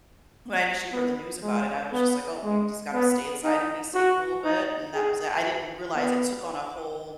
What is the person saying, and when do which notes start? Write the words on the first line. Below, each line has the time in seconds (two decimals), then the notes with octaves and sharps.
when I initially heard the news about it, I was just like, "Oh, you just gotta stay inside and be safe for a little bit," and that was tha I didn't realize it took on a whole
0.93 B3
1.42 G#3
1.93 B3
2.43 G#3
2.94 B3
3.44 D#4
3.95 F#4
4.45 D#4
4.95 G#4
5.96 B3